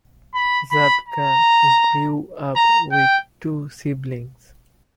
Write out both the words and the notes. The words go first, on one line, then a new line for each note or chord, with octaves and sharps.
Zabka grew up with two siblings.
B5
B5
A#5
A#5
G5